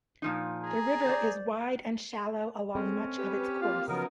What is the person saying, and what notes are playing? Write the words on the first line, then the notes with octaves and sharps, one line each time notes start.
The river is wide and shallow along much of its course.
A#2 F3 D#4
G#4 A#5
C5 D5
G#3 C4 C#4 A4 D#5
G4 B4
A#3 F4 F5
C#3 F3 F#3 B3 D#4 A#4